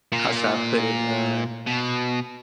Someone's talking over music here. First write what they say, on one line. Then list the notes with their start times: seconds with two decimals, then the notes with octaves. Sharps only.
How should I put it? Uh,
0.12 A#2
1.67 B2